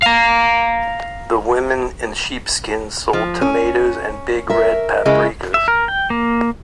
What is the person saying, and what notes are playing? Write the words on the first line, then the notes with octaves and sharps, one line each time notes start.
The women in sheepskins sold tomatoes and big red paprikas.
F5 A#5
F3
C#4
A#4 E5
C#3 G#3 E4
E5
A#4
G5
A#3